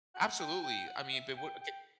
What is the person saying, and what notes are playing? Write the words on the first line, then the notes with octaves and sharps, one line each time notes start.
Absolutely, I mean, but what okay.
F#5
G5
G5
F#5
E5
G5
G5